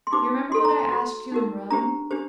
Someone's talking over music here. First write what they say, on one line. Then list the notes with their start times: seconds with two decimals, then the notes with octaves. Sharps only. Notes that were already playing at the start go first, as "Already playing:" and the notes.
Do you remember what I asked you in Rome?
0.07 C6
0.12 D#4 G4 C5 D6
0.52 F#4 A4 C5 C6
0.65 A#5
0.79 C6
0.92 F#4 C5
1.32 D#4 F#4 A#4
1.70 D4 G4 C5 A#5
2.11 D4 G4 C5